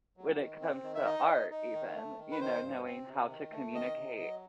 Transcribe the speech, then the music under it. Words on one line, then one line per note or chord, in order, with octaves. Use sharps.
when it comes to art even, you know, knowing how to communicate
F#3
D#3
C4
D#3
E5
D#4 D#5
D#4
D#4
D#3
A3
D#3
B4
D#3 C5
G2
C4
C3
D#3
A3
D#3 D#5
C3
F#3